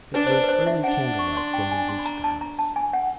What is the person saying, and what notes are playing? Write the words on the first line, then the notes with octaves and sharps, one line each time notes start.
It was early candle-light when we reached the house.
D4 B4
C5
B4
B4
C5
E5
D4 F#5
C#6
C6
G5
G#5
C6
B5
A#5
A5
A#5
A5
G#5
F#5